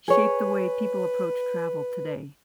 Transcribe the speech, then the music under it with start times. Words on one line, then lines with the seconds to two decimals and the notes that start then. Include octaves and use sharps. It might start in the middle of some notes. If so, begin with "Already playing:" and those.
shape the way people approach travel today?
0.08 G#4 B4 C#5